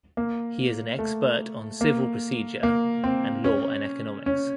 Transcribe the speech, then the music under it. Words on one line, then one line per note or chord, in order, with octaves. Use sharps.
He is an expert on civil procedure and law and economics.
A#3
A3
A#3
A#3
C4
C#4
C#4